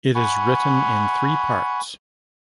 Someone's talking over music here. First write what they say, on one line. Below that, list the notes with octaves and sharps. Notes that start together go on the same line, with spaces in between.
It is written in three parts.
F#5 G#5 B5 C#6